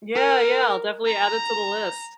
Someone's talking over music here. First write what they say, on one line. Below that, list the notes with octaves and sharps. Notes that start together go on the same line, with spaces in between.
Yeah, yeah, I'll definitely add it to the list.
A#4
A#5